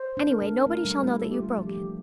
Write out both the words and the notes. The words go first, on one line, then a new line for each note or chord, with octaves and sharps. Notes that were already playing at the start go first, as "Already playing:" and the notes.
Anyway, nobody shall know that you broke it.
Already playing: C5
D4
A#4
A#3
A3 A#4
G3
A3 E4
A#3 A4
G4
G3 F4
F3
G4
E3